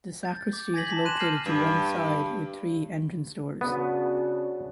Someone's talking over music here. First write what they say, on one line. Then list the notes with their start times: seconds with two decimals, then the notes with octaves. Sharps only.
The sacristy is located to one side with three entrance doors.
0.23 G6 A6
0.53 D6
0.74 G#5 G#6 A#6 B6 F#7
0.89 A5 D6 B6 F#7
1.05 C6 F#6 D#7 E7 F#7
1.19 F6 G6 A#6 C7 E7 F#7
1.46 G2
3.61 C#3 B3 D4 F#4